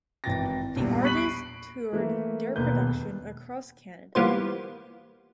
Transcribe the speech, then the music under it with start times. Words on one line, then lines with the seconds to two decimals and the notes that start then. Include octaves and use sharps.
The artists toured their production across Canada.
0.24 G#1 E3 G5 A6 A#6
0.76 A#1 E2 G3
1.03 B5 C#6 F#6 B6 D#7 F#7
1.16 C7 D7
1.92 E3 A3 A#3
2.56 E1 D#2 B4 G6
4.15 E3 G3 A#3 B3 F4 C5